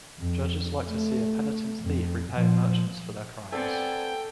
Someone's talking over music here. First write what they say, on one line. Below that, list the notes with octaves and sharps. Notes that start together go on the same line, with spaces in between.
Judges like to see a penitent thief repaying merchants for their crimes.
F2
A3
F2
A#2 F3
B3 C4 A4 D5 G5 G#5